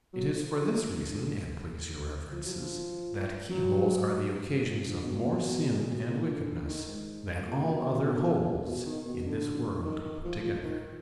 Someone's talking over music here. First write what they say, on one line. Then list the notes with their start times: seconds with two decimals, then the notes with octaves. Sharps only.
It is for this reason, an' please your Reverences, That key-holes are the occasions of more sin and wickedness, than all other holes in this world put together.
0.13 F#3
0.33 F3
1.13 D3
2.32 F3
2.46 F#3
2.52 F3
3.50 F#3
4.70 F3
4.89 D3
5.03 B2
5.17 A#2
5.31 B2
5.88 B2
6.09 A#2
6.28 D3
6.68 D#3
6.87 G#2
7.47 A#2
7.67 B2
7.87 B2
8.66 B2
8.86 D#3
9.06 B2
9.26 D3
9.85 D#3
10.05 D#3
10.25 F3
10.45 F3
10.64 D#3